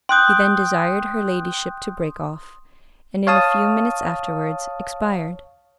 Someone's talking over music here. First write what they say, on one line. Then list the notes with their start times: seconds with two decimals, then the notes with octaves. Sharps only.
He then desired her ladyship to break off, and in a few minutes afterwards expired.
0.09 G5 C6 D#6 F#6 G6
3.27 C#5 F5 A5 D#6